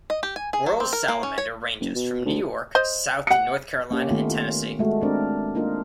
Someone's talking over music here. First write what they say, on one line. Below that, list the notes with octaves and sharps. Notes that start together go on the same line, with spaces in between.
Wehrle's salamander ranges from New York south to North Carolina and Tennessee.
D#5
G4
G#5
G#4
F#3
C4
A#4
A#3
C#4
C#5
F#1
B2
D2
C5 D#5
F#5 C#7
A#3 C#4 G4
D#3 A3 B3 F4
F4
G#3 A3 F#4
C4 D4 A#4 D5
A#3 D4 D#4 F4 A#4